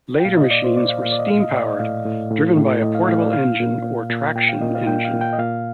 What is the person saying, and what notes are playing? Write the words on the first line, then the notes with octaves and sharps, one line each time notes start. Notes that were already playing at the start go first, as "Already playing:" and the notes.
Later machines were steam-powered, driven by a portable engine or traction engine.
G5
A#2 F5
D#5
A#2 D5
C5
A#2 D5
F5
A#2 F5
D5
D#5
A2 F5
D#5
A2 D5
D#5
A2 F5
A2
A2
A2
A2 D#5
F5
A2 F5
D5
A#2 F5
A#2
A#2
A#2
A#2 G5
F5
A#2 D#5
F5
A#2 G5
F5
A#2
G5
D#5
A#2 F5